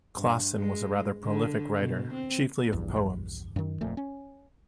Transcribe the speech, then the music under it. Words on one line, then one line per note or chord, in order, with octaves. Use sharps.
Klassen was a rather prolific writer, chiefly of poems.
G2
G#3
D3
B2
C4
A#1 E2 G2
F#2 D#3
D1 F2 A#2 A3
C#4